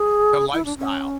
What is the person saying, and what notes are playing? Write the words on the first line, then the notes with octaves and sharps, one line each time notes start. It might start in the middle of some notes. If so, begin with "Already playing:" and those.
The lifestyle
Already playing: G#4
E4
D4
C#4